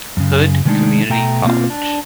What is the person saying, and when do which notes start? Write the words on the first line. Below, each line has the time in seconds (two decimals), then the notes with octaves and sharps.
Hood Community College.
0.17 F#2 C#3
0.65 C3 D#3 G#3 A3 D4 D#4
1.10 B2 A3 G5 A#5
1.44 B2 A#3 C4 F4
1.70 D4